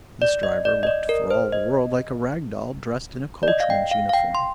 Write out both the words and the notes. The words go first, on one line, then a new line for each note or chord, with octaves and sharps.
This driver looked for all the world like a rag doll dressed in a coachman's uniform.
D5
D#5
D5
D#5
D5
A#4
C5
D#5
D5
D#5
F5
G5
F5
F5
G5
C6